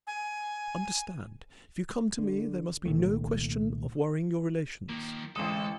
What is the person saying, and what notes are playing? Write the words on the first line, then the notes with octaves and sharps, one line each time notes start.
But understand, if you come to me, there must be no question of worrying your relations.
G#5
D3
C2 A#2 D#3 A3
D#3 F3 A#3
A1 D2 G#3 A4 C5 D#6